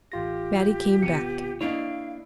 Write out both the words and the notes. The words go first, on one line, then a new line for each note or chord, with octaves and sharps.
Mattie came back.
A1 F4 G4 A#6
C3 B3 C#7
A#3 D4 E4 C#5 D#5 F5